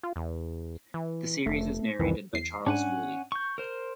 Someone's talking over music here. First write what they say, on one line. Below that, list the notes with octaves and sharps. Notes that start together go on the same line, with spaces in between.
The series is narrated by Charles Wooley.
F4
E2
E3
F1 A3
C2 F2 D#3 E3
E2 C7
G#2 C#4 D4 F#5 G#5
C#6 G6
A#4 C5